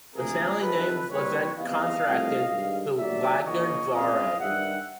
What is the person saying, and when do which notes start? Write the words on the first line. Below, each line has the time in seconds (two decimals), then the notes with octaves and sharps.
The family name was then contracted to "Wagner-Jauregg".
0.15 D2 C3 F3 A#3 G#4 A#4
0.62 F2 C3 D#3 A4 B4
1.09 C2 A#2 G3 C4 B4 C#5
1.56 E2 C3 E3 D#5 F5
2.04 C2 C3 F3 A3
2.50 G2 D#3 G#3
2.98 D#2 D3 F#3 D5 E5
3.45 A#1 G#2 F3 A#3 C#4 C#5 D#5
3.93 F2 C#3 F3 G#3 B3 D#5 F5
4.39 G2 D#3 G3 E5 F#5